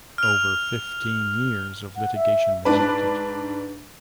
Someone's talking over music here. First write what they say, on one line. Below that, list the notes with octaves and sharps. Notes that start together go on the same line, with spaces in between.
Over fifteen years of litigation resulted.
F6 F7
F#5
E5
G#2 D4 B4